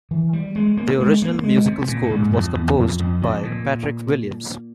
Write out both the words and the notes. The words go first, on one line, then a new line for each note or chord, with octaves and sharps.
The original musical score was composed by Patrick Williams.
E3
G3
G#3
A#3
G#3
A#3
G#3
C3
A#2
G2
G#2
F2
E2
F2
F2
F2
A#2